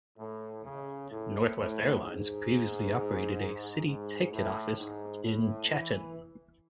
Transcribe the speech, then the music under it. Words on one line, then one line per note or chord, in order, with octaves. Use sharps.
Northwest Airlines previously operated a city ticket office in Chatan.
A2
C#3
A2
A2
G#2
G#2
A2
G#2
A2
E3